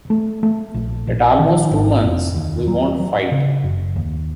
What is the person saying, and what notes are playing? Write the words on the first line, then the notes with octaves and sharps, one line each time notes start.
At almost two months, we won’t fight.
A3
A3
A#1
A#1
D#3
G#1
F1
D#2
F#3
F#3
C#3
F#1
D#2